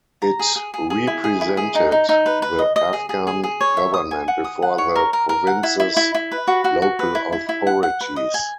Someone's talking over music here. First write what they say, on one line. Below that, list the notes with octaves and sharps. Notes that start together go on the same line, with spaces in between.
It represented the Afghan government before the Province's local authorities.
A#5
G#4
G#4
G#4
G#4
E4
G#4
E4
G#4
D#4
D#4
D#4
B4
B4
D#5
D#5
G#4
G#4
G#4
G#4
C#5
E5
D#6
G#5
F#5
D#6
F#5
C#5
A#4
A#4
A#4
F#5
E4
E4
E4
E4
B4
F#4
F#4
F#4
B4
E4
E4
E4
F#5
F#5
B4
D#5
G#5